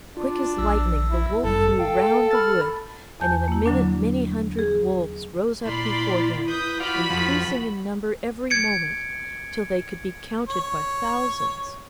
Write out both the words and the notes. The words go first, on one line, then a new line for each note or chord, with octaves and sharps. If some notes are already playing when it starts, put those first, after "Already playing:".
Quick as lightning the wolf flew round the wood, and in a minute many hundred wolves rose up before him, increasing in number every moment, till they could be counted by thousands.
D4 F4
A#1 E6
E4
G1 F#2 G3 A4
A4 F5 G5
B5 F6 A6
E2 G#5 A5 G6
A#3 E4
D3 F#3 D4
G#4
A#2 E4 D5 B5 C6
B4 D#6 G6
F4 F#4 D5 B5
F2 F3
G#6 C#7 D7
C#5